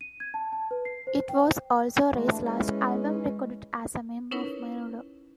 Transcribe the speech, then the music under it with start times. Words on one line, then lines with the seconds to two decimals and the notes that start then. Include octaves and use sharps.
It was also Ray's last album recorded as a member of Menudo.
0.01 D#7
0.20 G#6
0.34 A5
0.53 A5
0.71 B4
0.85 C7
1.07 C5
1.29 G5
2.14 E2 G#3 A3 F#4
2.30 E3 D4
2.42 E3 G#3 C#4
4.31 C#4 D#4 E4 A#4 B4 C#5